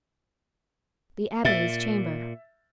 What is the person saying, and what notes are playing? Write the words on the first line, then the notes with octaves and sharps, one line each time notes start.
The Abbe's Chamber.
A#2 E5 A6